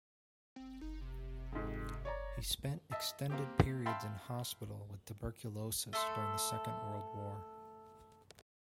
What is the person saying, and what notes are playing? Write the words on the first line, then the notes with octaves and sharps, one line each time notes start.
He spent extended periods in hospital with tuberculosis during the Second World War.
C4
D#4
C3
F2 G#2
C#5 D5 A#5
D#5 E5 A5 E6
A#3 C4 G4
E5 F5 G5 A5 B5 C6
A3 A4 C6